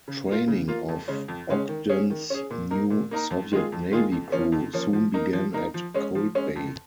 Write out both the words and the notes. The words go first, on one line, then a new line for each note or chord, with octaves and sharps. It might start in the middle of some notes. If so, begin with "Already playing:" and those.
Training of "Ogden"s new Soviet Navy crew soon began at Cold Bay.
C#3
A#3 F4
C#3
A#3 F4
F2
C#3 G#3 C#4
F2
C#3 G#3 C#4
D#3
C#4 G#4
D#3
C#4 G#4
A#2
A#3 D#4 A#4
A#2
A#3 D#4 A#4
F2
D#3 G#3 F4 G#4
F2
D#3 G#3 F4 G#4
F2
F3 A#3 C#4
F2
F3 A#3 C#4
F3
A#3 D#4 A#4
F3
A#3 D#4 A#4
F3
G#3 C#4
F3
G#3 C#4
F2